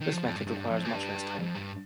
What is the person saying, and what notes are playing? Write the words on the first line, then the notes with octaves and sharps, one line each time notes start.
This method requires much less time.
D#3
F3
F2
G2
G2
F2
A#2
G2
F2
G2